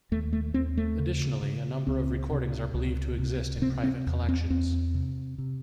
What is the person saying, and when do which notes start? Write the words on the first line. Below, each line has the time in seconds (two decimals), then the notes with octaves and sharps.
Additionally a number of recordings are believed to exist in private collections.
0.11 D#2 A3
0.33 A3
0.54 D#2 C4
0.77 A3
0.99 C#3
1.42 C#3
1.87 C#2 C4
2.30 C3
2.74 C#2
3.19 C3
3.62 C3 C4
3.84 C4
4.07 E2
4.29 C4
4.50 E2 C4
4.94 C3
5.38 C3